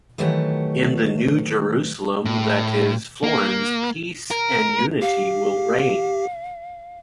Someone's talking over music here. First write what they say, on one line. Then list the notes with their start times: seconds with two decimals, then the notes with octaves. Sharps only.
In the New Jerusalem that is Florence peace and unity will reign.
0.18 D#3 E3 F#3 A3 G4 F#5
2.25 A2
3.24 A#3
4.31 A#4
5.02 G4 F5